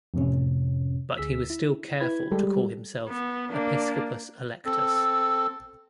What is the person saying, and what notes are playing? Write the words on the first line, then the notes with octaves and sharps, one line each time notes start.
But he was still careful to call himself "Episcopus-electus".
F2 A2 C3 C#4
D2 G#4 E6 B6
E4
E4 B4 B5 G#6
G3 G#3 G4 A4
B3
A#3 D4
C4 A4